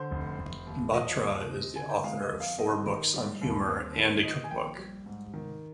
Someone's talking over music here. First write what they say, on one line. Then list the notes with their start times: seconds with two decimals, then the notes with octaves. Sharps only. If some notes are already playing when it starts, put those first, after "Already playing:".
Batra is the author of four books on humor and a cook book.
Already playing: D3 C5
0.11 F1
0.39 F1
0.66 D#2
0.94 F3 D#5
1.21 D#2
1.49 C4
1.76 D3 G#5
1.90 G5
2.04 G#3 F5
2.22 D#5
2.32 F2
2.40 F5
2.59 C4 D#5
2.86 D#3
3.13 G3
3.41 D#2
3.68 C4
3.96 D#3
4.23 D#3 D#5
4.44 G#5
4.51 A#1 G5
4.78 G3
5.06 G#2
5.33 D#3